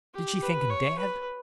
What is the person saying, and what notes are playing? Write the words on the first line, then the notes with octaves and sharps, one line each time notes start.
Did she think him dead?
G4
B4
C#5
B4